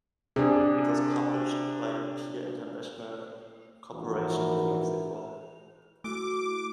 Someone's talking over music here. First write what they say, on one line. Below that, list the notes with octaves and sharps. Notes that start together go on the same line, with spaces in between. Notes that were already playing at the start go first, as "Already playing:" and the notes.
It was published by Peer International Corporation of Mexico.
C3 D4 G#4
A#1 G#2 E3 E4 F#4 A#4
A3 E4 F#4 D6